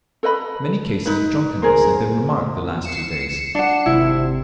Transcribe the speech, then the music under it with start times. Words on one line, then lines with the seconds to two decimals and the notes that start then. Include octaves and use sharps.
Many cases of drunkenness had been remarked the last two days.
0.23 A4 B4 D#5 B5
1.06 D#4 B4
1.62 G#4 A#4 C5
2.83 C7 C#7 E7
3.55 D4 F#5
3.86 G#1 C3 E4